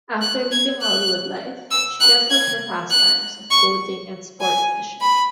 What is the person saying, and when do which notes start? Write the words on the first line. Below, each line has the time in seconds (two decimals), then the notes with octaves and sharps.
After leaving Hollywood life, she kept up her pastimes of boating and sport fishing.
0.21 F#6
0.52 G#6
0.82 F#6
1.71 E6
2.01 F#6
2.31 G#6
2.91 F#6
3.51 C#6
4.41 G#5
5.01 B5